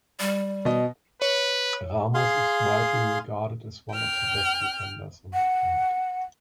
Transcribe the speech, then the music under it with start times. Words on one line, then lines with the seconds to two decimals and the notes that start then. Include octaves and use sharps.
Ramos is widely regarded as one of the best defenders on the planet.
0.20 G3
0.65 B2 D#5
1.22 B4 C#5
2.14 G#4 F5 C6
3.92 G5 F6
5.33 F#5